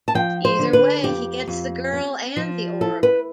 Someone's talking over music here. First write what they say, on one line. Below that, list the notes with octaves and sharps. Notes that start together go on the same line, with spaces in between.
Either way, he gets the girl and the orb.
A5
F3 G5
C5
D3
B4
F2 G4
F2
C4
F3
E4 A4
B4